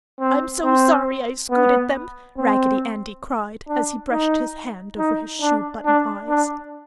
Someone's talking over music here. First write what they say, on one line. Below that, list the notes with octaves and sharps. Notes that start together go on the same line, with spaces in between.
"I'm so sorry I scooted them!" Raggedy Andy cried, as he brushed his hand over his shoe button eyes.
C4
C4
B3
C4
D4
D#4
D#4
D4
D4
D4